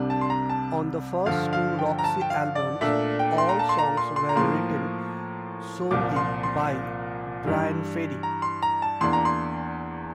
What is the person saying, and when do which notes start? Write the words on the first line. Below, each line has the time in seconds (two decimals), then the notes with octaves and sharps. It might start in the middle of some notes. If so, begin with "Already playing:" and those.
On the first two Roxy albums, all songs were written solely by Bryan Ferry.
Already playing: C2 C3 G3 D4
0.10 A5
0.21 C6
0.30 A#5
0.49 A5
1.26 G2 D3 F3 F5
1.53 F5
1.79 G5
1.99 A#5
2.04 A5
2.21 G5
2.30 F5
2.55 D5
2.81 A#2 A3 D4 E5
3.19 G5
3.38 C6
3.49 A#5
3.59 A5
3.69 C6
3.79 A#5
3.97 C6
4.16 C6
4.29 A#5
4.36 A2 F3 A#3 C6
5.91 C2 A#2 F3 D6
6.16 C6
6.43 C6
7.46 G2 E3 G3
8.23 A#5
8.42 C6
8.63 A#5
8.82 A5
9.01 E2 E3 A#3 D4 C6
9.13 A#5
9.25 C6